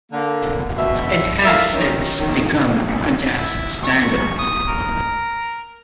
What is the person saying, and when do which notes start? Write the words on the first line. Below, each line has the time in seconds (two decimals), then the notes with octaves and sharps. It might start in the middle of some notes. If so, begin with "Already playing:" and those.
It has since become a jazz standard.
0.12 D3 A#3
0.77 B2 E5
1.44 F3 A3 E4 A#4 E5 F5
1.72 D#3 C#4
2.20 D#3
3.39 E4
3.83 C#6
4.39 D#6
4.68 A#4